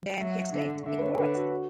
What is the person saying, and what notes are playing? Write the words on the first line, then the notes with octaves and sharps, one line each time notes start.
Then, he exclaimed: It works!
F#3 E5
F#5
E5
D3
D3 E5
B4
C#5
A4
D3 B4
F#4
F#4